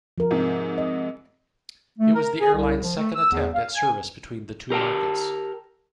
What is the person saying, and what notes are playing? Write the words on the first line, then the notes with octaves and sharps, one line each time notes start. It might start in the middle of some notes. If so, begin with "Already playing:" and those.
It was the airline's second attempt at service between the two markets.
F3 A#4
G#2 C3
D#5
A3
A#4
G#4
C2
F3
A3
E6
E2
F5
G#5
G4 A#4 C5 G5 A5